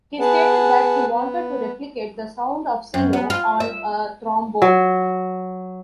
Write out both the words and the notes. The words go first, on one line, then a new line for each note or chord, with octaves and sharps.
He stated that he wanted to replicate the sound of cello on a trombone.
B3 G#4 B4 F#5 A5
B3
F#2
B3
F4
E5
F#3